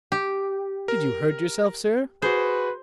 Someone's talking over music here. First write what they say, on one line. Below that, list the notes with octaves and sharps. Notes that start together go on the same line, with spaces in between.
"Did you hurt yourself, sir?"
G4
A#4
F#4 G#4 B4 C5